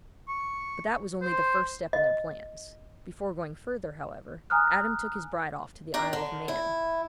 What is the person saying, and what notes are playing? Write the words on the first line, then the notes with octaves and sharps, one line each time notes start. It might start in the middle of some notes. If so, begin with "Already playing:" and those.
But that was only the first step in their plans; before going further, however, Adam took his bride off to the Isle of Man.
C#6
C5
D#5
G#5 A#5 D#6 F6 F#6
D4 A#5
D3
E4